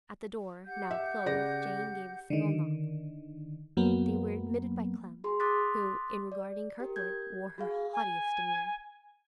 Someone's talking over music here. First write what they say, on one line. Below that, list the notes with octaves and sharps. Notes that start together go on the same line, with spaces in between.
At the door, now closed, Jane gave a single knock; they were admitted by Clem, who, in regarding Kirkwood, wore her haughtiest demeanour.
G4 F#5 G6
E5
C#3 D5 A#6
D3 D#3
F#2 F#3 A#3 B3
F#4 G#4 C6
C6 D6 D#6 F#6 A6 B6
D5
G4 A#4
G6 G#6
F#4 G#4 F5
G#5